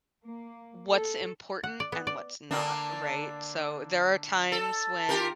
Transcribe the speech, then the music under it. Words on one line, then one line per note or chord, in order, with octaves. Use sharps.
what's important and what's not, right? So there are times when,
A#3
A4
F#5
D5
B3
D5
D3 A#3 D4
A4
F4 G4 A#4